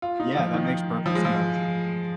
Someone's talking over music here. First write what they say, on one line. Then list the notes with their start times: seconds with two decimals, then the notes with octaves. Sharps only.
Yeah, that makes perfect sense.
0.02 F4
0.20 D#4
0.37 F3
0.54 D#3
1.06 F3
1.15 G#3
1.25 F3